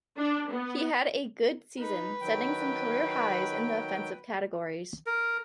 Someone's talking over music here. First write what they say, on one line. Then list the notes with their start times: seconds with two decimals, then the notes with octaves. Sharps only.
He had a good season, setting some career highs in the offensive categories.
0.17 D4
0.50 B3
1.80 D#4 B4
2.21 D#3 F#3 G5
5.06 A#4